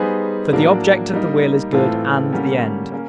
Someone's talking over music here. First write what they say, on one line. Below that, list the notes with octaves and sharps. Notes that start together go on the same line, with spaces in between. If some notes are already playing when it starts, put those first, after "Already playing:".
For the object of the will is good and the end.
Already playing: G3 B3 D#4 G#4 C5
A2 F#3 A#3 D4
G3 A#3 D#4
A2 E3 A3 C4 F4
D3 G3 A#3 C#4
A#3 C#4